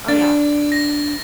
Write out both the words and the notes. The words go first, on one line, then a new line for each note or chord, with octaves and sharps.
Oh yeah,
D4 A6
A#6